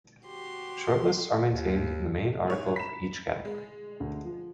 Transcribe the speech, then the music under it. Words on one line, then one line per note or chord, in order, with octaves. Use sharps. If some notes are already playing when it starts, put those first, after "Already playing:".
Shortlists are maintained in the main article for each category.
F#4 G4 C6
D#2
G#2 C#5
A#5 B5 B6 E7
G#3
D2 D3
F3